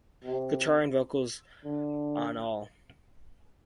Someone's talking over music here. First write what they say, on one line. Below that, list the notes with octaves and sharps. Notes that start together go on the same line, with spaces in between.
Guitar and vocals on all.
C3
D3